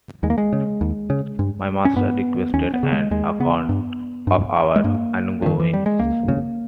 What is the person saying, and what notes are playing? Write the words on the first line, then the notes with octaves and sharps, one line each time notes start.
My master requested an account of our ongoings.
D#2 G#3
A#3
G#3
C#3
D#2
C#3
G2
C#4
G2 B3
D#2 C#4
B3
C#3
G#3
D#2 G#3
C#3 B3
G2
G2
G#3
G2 A#3
G2 D#3
E3
G3
G#3
C#2 A#3
C#3